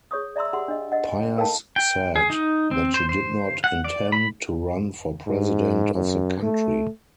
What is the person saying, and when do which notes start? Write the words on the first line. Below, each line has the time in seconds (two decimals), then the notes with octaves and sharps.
Pires said that she did not intend to run for President of the country.
0.11 G#4 C#5 C#6 D#6
0.36 D5 E5 A#5 C6 E6
0.53 G4 G#4 F#5 C6
0.68 D4 D#5
0.92 D#5 F#5
1.37 A4 A#4 F5 G5 A5
1.76 G5
2.16 G#4
2.30 D#4
2.71 C4
2.94 C5
3.09 C5
3.64 F#5
3.84 D5
4.12 B5
5.27 G#2
5.94 F#2
6.43 A3